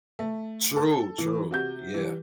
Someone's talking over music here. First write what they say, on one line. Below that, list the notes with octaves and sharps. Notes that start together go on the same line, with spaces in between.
True, true. Yeah.
A3
A4
E3
C3 F#4 G6
E3 G3